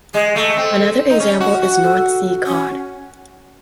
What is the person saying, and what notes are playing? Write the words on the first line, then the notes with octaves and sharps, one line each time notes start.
Another example is North Sea cod.
G#3 G#4
A3 A4
C4
D#4
C#4
F#4
F#4
A4
C#4